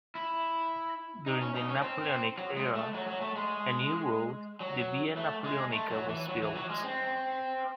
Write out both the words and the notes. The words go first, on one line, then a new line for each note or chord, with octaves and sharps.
During the Napoleonic era a new road, the Via Napoleonica, was built.
E4
D#4
C#4
D#4
C#4
C4
F#3
G#3
A3
F#3
F#3
A3
G#3
F#3
A3
G#3
A3
F#3
E3
F#3
E3
F#3
G#3
C4